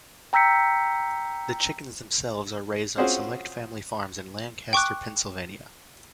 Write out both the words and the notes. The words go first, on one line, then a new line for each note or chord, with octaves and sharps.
The chickens themselves are raised on select family farms in Lancaster, Pennsylvania.
G5 A#5 E6 G6 B6 C#7
C4 C#4 F4 F#4 G#4 C5
G5 C#6 D6 F#6